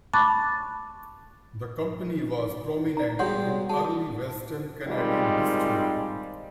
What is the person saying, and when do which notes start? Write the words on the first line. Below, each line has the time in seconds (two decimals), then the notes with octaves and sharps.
The company was prominent in early Western Canadian history.
0.14 A5 B5 C#6 D6 F#6 A6
2.97 D5 A#5
3.19 B2 G3 G#3 C#5 F#5 C6
3.70 G#3 A5
4.87 D#3 G3 G#3 C4 F4